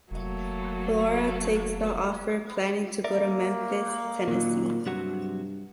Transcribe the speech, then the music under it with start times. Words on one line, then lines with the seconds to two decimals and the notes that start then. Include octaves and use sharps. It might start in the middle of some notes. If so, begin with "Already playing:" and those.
Flora takes the offer, planning to go to Memphis, Tennessee.
0.11 F1 F#3 A3 A#3
3.04 A#3 A#4 D5 E5
4.28 A#2 D#3 F#3
4.86 G2 C3 F#3 F#4